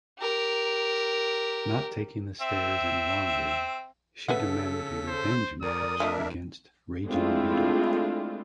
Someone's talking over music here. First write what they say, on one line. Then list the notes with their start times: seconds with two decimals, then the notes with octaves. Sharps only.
Not taking the stares any longer, she demanded a "revenge match" against Raging Beetle.
0.19 G4 A#4
2.41 C4 E5
4.28 C#3 A4 B4 E5 F#5 B6
5.08 C5
5.62 F2 A#4 D5 D#6
6.00 A3 D4 F4 A#4 D#5 E5
7.07 G#3 A3 C4 D4 E4 F4